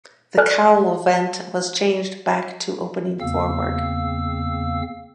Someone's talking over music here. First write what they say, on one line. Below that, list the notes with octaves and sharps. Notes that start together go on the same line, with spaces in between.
The cowl vent was changed back to opening forward.
A4 D5 G#5 F6 F#6
E2 C#3 A#3 C4 F5 E6